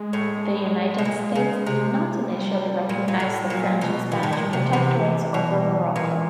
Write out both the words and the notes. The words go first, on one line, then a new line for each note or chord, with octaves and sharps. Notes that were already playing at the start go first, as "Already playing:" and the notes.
The United States did not initially recognize the French and Spanish protectorates over Morocco.
Already playing: G#3
A2
B2
A#2
C#3
C3
G#3
G3
A#2
A#2
A2
A#2 F#3
B2 F3
A#2 D#3
A2
A#2
G3
C3 F#3
F3
C3 E3
B2
A#2